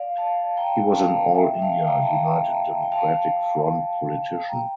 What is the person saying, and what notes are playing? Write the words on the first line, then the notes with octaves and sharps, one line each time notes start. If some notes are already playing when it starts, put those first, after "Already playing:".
He was an All India United Democratic Front politician.
Already playing: D5 F5
F5 A5
G5 A#5
F5 A5
E5 G5
F5 A5
G5 A#5
A5
G5 A#5
G5
F5 A5
G5 A#5